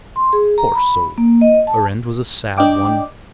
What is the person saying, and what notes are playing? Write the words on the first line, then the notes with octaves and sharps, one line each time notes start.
Poor soul! her end was a sad one.
C6
G#4
A#5
B5
A#3
D#5
A5
D4 D#5 G5 D6